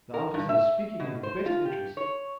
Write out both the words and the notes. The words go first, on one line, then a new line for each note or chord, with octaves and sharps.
'The officer is speaking in your best interests.
A#4
G2
E5
B2
C5
F4
G4
C#5